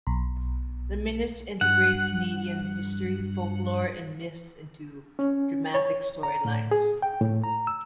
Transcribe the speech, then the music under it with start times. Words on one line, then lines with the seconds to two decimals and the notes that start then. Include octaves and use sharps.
The "Minutes" integrate Canadian history, folklore and myths into dramatic storylines.
0.07 B1
1.61 G2 F#5
5.19 C#4
5.74 C#5
6.23 A#5
6.45 A2
6.71 G#4
7.02 G5
7.21 A2
7.44 A#5
7.67 E6